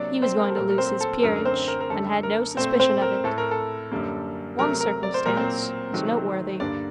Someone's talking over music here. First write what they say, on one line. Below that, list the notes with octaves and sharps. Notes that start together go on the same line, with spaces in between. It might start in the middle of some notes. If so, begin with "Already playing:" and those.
He was going to lose his peerage, and had no suspicion of it. One circumstance is noteworthy.
Already playing: C3 F#3 A#3 D4 D5
C4 C5
A#4
A4
A#2 F#3 A3 A#4
A#4
C4 C5
A4
F#2 D3 F#3 A3 A#4
A#4
C4 C5
A#4
A#4
F#2 D3 A3 A4
A#4
A#2 A3 C4 C5
C4 C5
A#4
A2 A3 A4
A#4
A4
F#2 D3 G3 A#3
C3 F#3 A3 A#4
A#4
D5
C5
A#2 F#3 A#3 A#4
C4 C5
C3 D#3 F#3 A3
G2 D3 G3 A#3 D4 D5